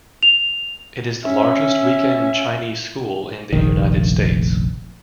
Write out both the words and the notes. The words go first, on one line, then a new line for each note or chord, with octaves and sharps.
It is the largest weekend Chinese school in the United States.
F7
C#4 E5
F1 A#1 D#3